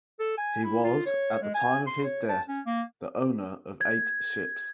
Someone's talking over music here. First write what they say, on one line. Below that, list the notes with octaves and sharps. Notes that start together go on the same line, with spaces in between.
He was at the time of his death the owner of eight ships.
A4
G#5
E4
F4
C#5
G#3
G#5
C6
C#5
A5
C#4
A#3
G#6